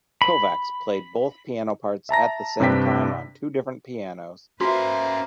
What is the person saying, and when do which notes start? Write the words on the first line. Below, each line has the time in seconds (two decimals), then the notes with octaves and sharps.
Kovacs played both piano parts at the same time on two different pianos.
0.22 B5
2.09 E5 A5 A#5 A#6
2.60 G2 C3 D4 B4 G5 B6
4.61 A#3 C#4 F#4 B4 C5 E5